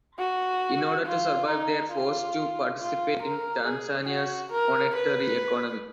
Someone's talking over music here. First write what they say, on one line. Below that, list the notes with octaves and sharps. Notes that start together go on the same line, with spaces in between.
In order to survive they are forced to participate in Tanzania's monetary economy.
F#4
F4
D#4
F4
F4
A#4
G#4
F#4
A#4
B4